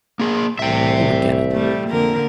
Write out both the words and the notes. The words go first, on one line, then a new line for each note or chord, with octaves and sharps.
He would get it.
A#3 G#4
C2 A2 E3 E5 G5
G3 A3
F2 D3 A#3 A#4